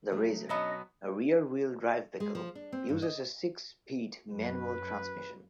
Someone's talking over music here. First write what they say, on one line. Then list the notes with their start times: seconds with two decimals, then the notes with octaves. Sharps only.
The Razor, a rear-wheel drive vehicle, uses a six-speed manual transmission.
0.12 C#3 F#3 A3
0.49 B2 F#3 B3 C#4 D4 D#5
2.20 G#3
2.35 F3
2.55 D4
2.72 C4
2.89 G2
3.02 D#5
4.31 F#2 B4